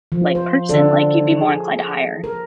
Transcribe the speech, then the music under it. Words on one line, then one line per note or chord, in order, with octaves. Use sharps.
like, person, like, you'd be more inclined to hire.
F3
C5
D3 D4 A4
G#4
A#4